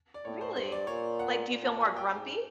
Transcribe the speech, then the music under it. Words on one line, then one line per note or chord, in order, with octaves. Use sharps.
Really? Like, do you feel more grumpy?
D5
A2 C#5
C5
G2 C5
D5
A#2 C#5
F#5
A#2
A5
G#5
G5
G#2 G#5